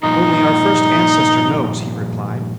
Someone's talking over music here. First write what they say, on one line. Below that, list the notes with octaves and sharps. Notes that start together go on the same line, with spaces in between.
"Only our first ancestor knows," he replied.
G2 A#2 F3 D#4